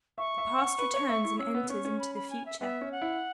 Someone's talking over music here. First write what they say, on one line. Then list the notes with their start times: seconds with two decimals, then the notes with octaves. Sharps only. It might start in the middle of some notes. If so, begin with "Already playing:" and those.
The past returns and enters into the future.
0.18 E5 C#6
0.38 E5
0.58 F#5
0.78 B4
0.94 C#5
1.09 E5
1.24 E4
1.39 C#4 E6
1.54 B3
1.70 C#4 C#6
1.85 C#4
2.00 B5
2.16 B5
2.30 G#5
2.46 E5
2.61 B3 E5
2.81 C#4
2.92 F#5
3.02 E4